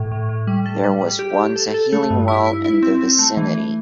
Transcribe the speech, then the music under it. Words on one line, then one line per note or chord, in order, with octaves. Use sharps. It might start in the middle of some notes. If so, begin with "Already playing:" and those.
There was once a healing well in the vicinity.
Already playing: A2
A2
A2
G3
A4
G3
G3
G4
G4
A4
A4
A3
G2
E4
E4
E4
C4
C4
A3
E3
E3